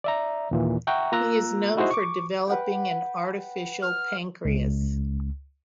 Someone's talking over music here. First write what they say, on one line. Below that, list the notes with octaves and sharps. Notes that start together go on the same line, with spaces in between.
He is known for developing an artificial pancreas.
D5 E5 A#5
D#2 A#2 E3
E5 F#5 G5 A#5 C#6
A#3 F4 A#5 E6 F#6
D#4 E4 F#4 G#4 C5 D#5
C#6 D6
B4 F#5 G5
F6
C#2